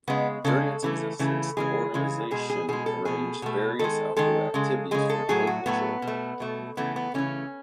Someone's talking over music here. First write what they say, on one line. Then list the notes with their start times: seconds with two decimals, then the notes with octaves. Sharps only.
During its existence the organisation arranged various outdoor activities for local children.
0.08 C#3 G#3 B3
0.44 C#3 G#3 A4
0.83 C#3 E3 A3
1.19 C#3 E3 A3
1.57 C#3 E3 G#3 G#4
1.94 C#3 E3 G#3
2.31 B2 G#3 G#4
2.50 G#4
2.69 B2 G#3 G#4
2.86 A4
3.05 B2 A3 G#4
3.42 B2 A3
3.79 D#3 G#3 A4
4.17 D#3 G#3 A4
4.54 C#3 G#3
4.91 C#3 G#3 G#4
5.10 A4
5.29 A2 F#3 A3 G#4
5.47 F#4
5.66 A2 F#3 A3 B3
6.02 B2
6.07 A3
6.40 B2 A3
6.77 C#3 E3 A3 B3
6.96 B3
7.14 C#3 E3 A3 C#4